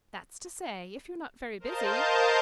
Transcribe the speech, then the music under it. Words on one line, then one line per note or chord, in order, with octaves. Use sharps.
"That's to say if you're not very busy."
A#4 C5 D#5 F5 A5 G6